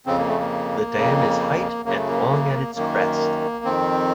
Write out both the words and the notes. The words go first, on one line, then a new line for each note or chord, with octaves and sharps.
The dam is height and long at its crest.
F2 C#3 C4
A#3
A3
A#3
F2 C#3
F#2 C#3 A#3
A3
A#3
A#3
F#2 D#3 A#3
F2 D#3 C4